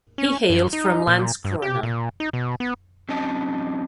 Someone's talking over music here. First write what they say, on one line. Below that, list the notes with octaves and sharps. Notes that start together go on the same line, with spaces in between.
He hails from Landskrona.
C#4
F#2
D#4
A#2
G2
G4
A#2
D#4
B2
B3
F#3 C4 C#4 D#4 D#5 A5